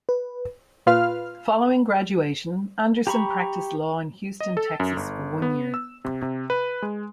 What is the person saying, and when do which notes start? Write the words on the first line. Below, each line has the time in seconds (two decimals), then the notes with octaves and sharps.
Following graduation, Anderson practiced law in Houston, Texas for one year.
0.09 B4
0.86 A#2 F4 B4 F5 F6
3.07 G4 A#5 B5 C#6
4.40 D#5
4.57 A4
4.80 F#2
4.97 G1
5.42 B3
5.74 E6
6.05 C3
6.22 C3
6.50 B4
6.82 G#3